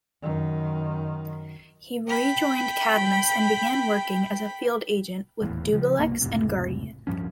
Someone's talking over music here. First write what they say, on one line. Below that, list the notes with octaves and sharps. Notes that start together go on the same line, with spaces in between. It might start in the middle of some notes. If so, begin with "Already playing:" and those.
He rejoined Cadmus and began working as a field agent with Dubbilex and Guardian.
F#2 D#3
G5 B5
D#1 E2 A2
C#3 F3
C2 G2 B2 A#3
F1 C#2 A2 C3
D1 G2 F3 C#4